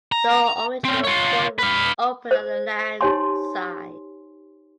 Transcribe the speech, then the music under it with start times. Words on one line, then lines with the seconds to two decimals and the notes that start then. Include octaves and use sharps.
The original fort was open on the land side.
0.12 A#5
0.84 C4 C#4
1.04 F4 C#5
1.59 B4 F5
2.31 C5
3.01 D#4 G4 C#5 G#5 C6